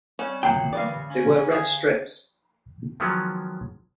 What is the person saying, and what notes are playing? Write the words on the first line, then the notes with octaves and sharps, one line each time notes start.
They wear red strips.
G3 C4 C#4 C#5 D#5
D#3 F#3 B3 F4 A#4 G5
D3 E3 G#3 G4 D5 F5
C#4 C#6
D3 G#4
D#3 F3 F#3 G#3 B3 C#4